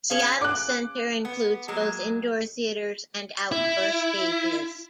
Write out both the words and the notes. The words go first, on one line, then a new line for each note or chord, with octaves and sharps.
Seattle Center includes both indoor theaters and outdoor stages.
C#4 G#4 F5
D6 F#6
B3
F#3 G#3 A#3
E4